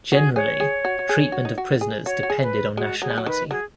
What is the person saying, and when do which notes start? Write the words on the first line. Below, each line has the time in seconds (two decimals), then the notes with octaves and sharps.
Generally treatment of prisoners depended on nationality.
0.12 F#4 G#4
0.36 G#4 C#5
0.60 G#4
0.85 F#4
0.99 F#4
1.09 G#4
1.32 F#4
1.45 D#4
1.58 F#4
1.81 G#4
2.05 F#4 C#5
2.23 F#4
2.30 G#4
2.42 B4
2.77 G#3 F#4
3.02 F#3 G#4
3.10 G#3
3.18 F#3
3.26 D#3 B4
3.51 F#3 G#4